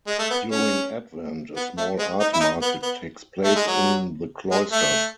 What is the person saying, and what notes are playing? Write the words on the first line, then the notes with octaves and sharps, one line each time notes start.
During Advent, a small art market takes place in the cloisters.
G#3
A3
B3
C#4
B3
A3
G#3
D#4
E4
D#4
B3
B3
A3
G#3
F#3
G#3
A3